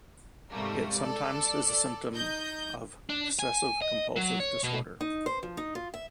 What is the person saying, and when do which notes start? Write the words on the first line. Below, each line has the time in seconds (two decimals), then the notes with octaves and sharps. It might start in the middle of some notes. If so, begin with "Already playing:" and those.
It sometimes is a symptom of Obsessive compulsive disorder.
0.50 G#2 C3 G3 A3 A#3
0.98 A4 D5
2.14 D#4 D#5 G6
3.09 D4
3.39 G#5
3.82 D#5
4.16 F#3
4.40 C#5
4.63 B2
5.01 D#4
5.26 C5
5.43 F3
5.57 D#4
5.75 F4
5.94 E5